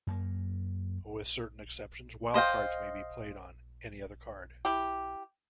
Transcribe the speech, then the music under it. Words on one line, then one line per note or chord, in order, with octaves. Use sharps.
With certain exceptions, wildcards may be played on any other card.
F#2 A#3
C5 D#5 F5 G5
E4 G4